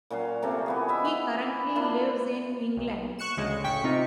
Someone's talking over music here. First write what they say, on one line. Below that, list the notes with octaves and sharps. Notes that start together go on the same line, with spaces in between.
He currently lives in England.
A#2 F#3 C#4 F5
C3 A3 A#3 C#4
E3 B3 G#4
D#5 E5 G#5
E3
A#3 D4 E4 F4
B1
C#6 F#6 C#7 E7
D2 C#3 G#3
A1 C#3 G5 C#6 B6
C3 D#4 F4